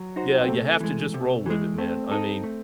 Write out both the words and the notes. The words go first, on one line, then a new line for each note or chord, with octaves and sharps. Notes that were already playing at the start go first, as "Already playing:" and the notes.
yeah, you have to just roll with it, man. I mean,
Already playing: F#3
D#4 F#4 C5
C4
C3 A3
E3 G#3
C3
E3 G#3
A3 C4
D#4 A4
A3